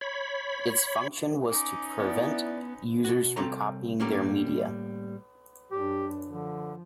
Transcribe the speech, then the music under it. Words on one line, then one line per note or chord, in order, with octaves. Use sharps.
Its function was to prevent users from copying their media.
C#5 B5
C#4 D#4 D6
B3 E4 D5
B2 F#4
C2 C4 A4 C#5 A#5
A2 G3 A#3 C#4
F#2 D4 G4
D3 F3